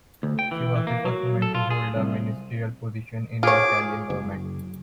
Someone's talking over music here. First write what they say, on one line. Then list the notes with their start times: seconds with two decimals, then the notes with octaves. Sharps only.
She was the first woman to hold a ministerial position in an Italian government.
0.23 D2
0.39 G5
0.51 E3
0.76 E3
0.87 A#3
1.05 F#3
1.42 A4
1.55 F4
1.70 G#4
1.96 C2
3.43 F4 G#4 C#5 D6
4.10 F#1